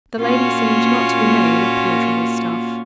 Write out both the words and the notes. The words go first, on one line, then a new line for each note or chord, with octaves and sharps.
The lady seemed not to be made of penetrable stuff.
A#2 A#3 C#4 F4 F#4